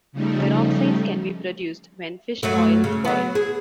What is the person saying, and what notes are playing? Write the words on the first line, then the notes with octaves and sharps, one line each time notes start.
Peroxides can be produced when fish oil spoils.
C#3 F3 G3 A3 D#4
G2 F#3 A3
C#3
F#3 B3
G#4